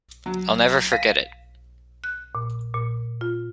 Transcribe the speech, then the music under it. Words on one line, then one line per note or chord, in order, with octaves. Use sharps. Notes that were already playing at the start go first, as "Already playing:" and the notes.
I'll never forget it.
F#3
F5 A#6 B6 D#7
F#6
A#2
A#2
F4